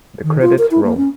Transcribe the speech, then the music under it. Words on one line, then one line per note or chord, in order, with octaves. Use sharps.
The credits roll.
D#3
F4
A#4
E4
A#3
C#4